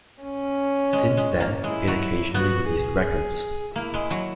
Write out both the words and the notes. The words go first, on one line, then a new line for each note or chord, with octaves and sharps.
Since then, it occasionally released records.
C#4
G#3
G#3
A#3
G#3 E4
F#3
B3 F#4
G#4
A#3 E4
G#3
F#3